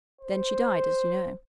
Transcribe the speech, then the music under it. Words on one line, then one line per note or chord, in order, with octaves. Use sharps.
Then she died, as you know.
C5